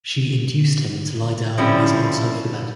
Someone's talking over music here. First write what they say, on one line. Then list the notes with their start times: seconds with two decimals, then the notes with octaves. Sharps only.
She induced him to lie down on his own sofa bed.
1.58 D3 F3 G3 C4 C#4 E4